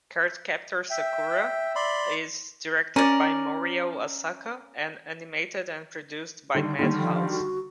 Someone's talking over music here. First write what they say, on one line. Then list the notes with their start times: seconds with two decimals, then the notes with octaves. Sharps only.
"Cardcaptor Sakura" is directed by Morio Asaka and animated and produced by Madhouse.
0.90 E5 G5
1.75 D5 B5 C6
2.96 C#4 A#4 D5
6.55 D3 D#3 G3
6.79 D3 D#3 G3 A#3
6.98 F3
7.29 F#4